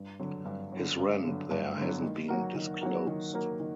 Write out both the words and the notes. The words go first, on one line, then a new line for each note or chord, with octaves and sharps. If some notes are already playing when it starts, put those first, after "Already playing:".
His rent there hasn't been disclosed.
Already playing: G2
D3 F#3
G2
D3 F#3
G2
D3 F#3
G2
D3 F#3
D#3
F#3 A#3 F#4 A#4
D#3
F#3 A#3 F#4 A#4
D#3
F#3 A#3 F#4 A#4
D#3